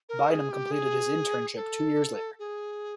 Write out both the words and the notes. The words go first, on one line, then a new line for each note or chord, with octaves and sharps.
Bainum completed his internship two years later.
A#4
G#4
G4
G#4
A4
G#4